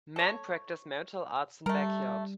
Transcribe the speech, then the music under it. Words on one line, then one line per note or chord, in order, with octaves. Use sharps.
Men practice martial arts in backyard.
A4 C#5
G3 A3 A#4